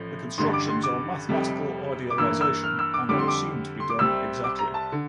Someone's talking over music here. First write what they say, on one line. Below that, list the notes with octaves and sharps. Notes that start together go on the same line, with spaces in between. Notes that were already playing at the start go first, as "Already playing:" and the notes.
The constructions are a mathematical idealization and are assumed to be done exactly.
Already playing: A1 A2 F3 A3
A1 G2 D3 G3 C6
D6
C6
D6
F1 F2 C3 G3
D6
G2 E3 A#3 E6
E6
F6
E6
D6
F2 D3 G3 D6
C6
D6
C6
D6
C2 C3 G3 C4 E6
D6
A#5
A5
D3